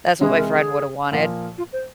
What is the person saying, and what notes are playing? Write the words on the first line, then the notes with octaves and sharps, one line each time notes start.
that's what my friend woulda wanted.
C3 E3 G#3 G#4
A#4
G#4
A#2 F3 A#3 F4
F4
C5